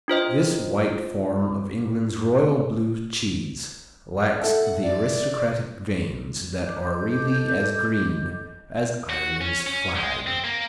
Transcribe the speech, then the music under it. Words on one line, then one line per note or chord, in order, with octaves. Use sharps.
This white form of England's royal blue cheese lacks the aristocratic veins that are really as green as Ireland's flag.
D4 F4 C5 D#5
A4 E5 F#5
D5
A4 D#5 D6 G6
F#4
C#4
C#4
G#3
C4
A#3